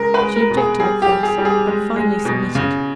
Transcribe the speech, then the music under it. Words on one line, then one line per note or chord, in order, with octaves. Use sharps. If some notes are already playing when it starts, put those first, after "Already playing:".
She objected at first, but finally submitted.
Already playing: C#3 G#3 A#4
B4
G#3
A#4
B2
G#4
G3 G#4
G4
G3
G#4
G3
G#4
G#3
G#3
B2
C#3